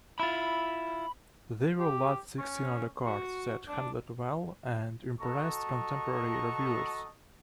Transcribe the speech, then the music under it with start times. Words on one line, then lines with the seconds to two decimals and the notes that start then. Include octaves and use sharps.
They were large six-cylinder cars that handled well and impressed contemporary reviewers.
0.20 E4 F4 B5
1.80 G4
2.39 C#4
3.06 F#4
3.68 D4
5.20 F#4 A4 D#5 A5 A#5 C#6